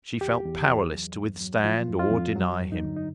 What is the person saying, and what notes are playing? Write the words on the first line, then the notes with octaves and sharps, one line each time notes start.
She felt powerless to withstand or deny him.
E2 G4
E2
E2
F#3
G2
F#3
F3 F4
F2
F4
F2
F#3
G2
D#4
D3
D#4